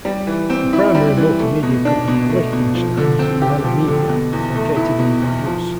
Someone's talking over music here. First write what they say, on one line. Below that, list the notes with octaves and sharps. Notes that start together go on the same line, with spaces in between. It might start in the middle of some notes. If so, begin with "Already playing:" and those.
The primary multimedia company in Liechtenstein is ManaMedia, located in Vaduz.
G3
E3
C4
E4
G3
E3
A3
B2
D4
B2
A3
B2
F3
D3
C4
G4
F3
D3
B2
E2
A3
E4
B2
E2
F3